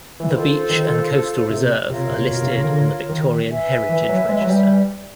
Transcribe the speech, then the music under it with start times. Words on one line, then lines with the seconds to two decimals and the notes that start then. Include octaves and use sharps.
The beach and coastal reserve are listed on the Victorian Heritage Register.
0.20 E3
0.30 D#3 F4 A4 C5
0.70 D#3
1.50 C3
1.89 C3 F4 A#4 C#5
2.10 C3
2.29 B2
2.42 C3
2.56 C#3
2.64 D#3
2.69 D3
3.09 D#3
3.49 B4 E5 G#5
3.89 E3
4.09 F#3
4.29 G#3
4.41 F#3
4.49 G3